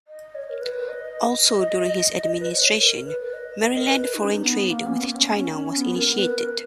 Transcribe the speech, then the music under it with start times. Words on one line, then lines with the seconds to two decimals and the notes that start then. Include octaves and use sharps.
Also during his administration, Maryland foreign trade with China was initiated.
0.08 D#5
0.35 C#5
0.50 A#4
0.61 B4
0.88 D#5
2.40 B4
2.52 C#5
2.78 A#4
3.06 B4
3.33 D#5
3.60 D#5
3.77 A#4
3.87 B4
4.14 D#4
4.22 C#4
4.30 D#4
4.42 B3
4.69 A#3
4.86 C#4
4.96 B3
5.11 B3
5.16 C#4
5.36 C#4
5.57 C#4
5.77 B3
5.97 A#4
6.18 B4
6.38 A#4